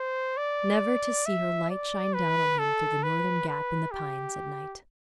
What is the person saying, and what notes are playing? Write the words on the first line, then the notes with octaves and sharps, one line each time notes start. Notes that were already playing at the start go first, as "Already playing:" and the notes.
Never to see her light shine down on him through the northern gap in the pines at night!
Already playing: C5
D5
E5
D5
B4
A4
B4
B4
G4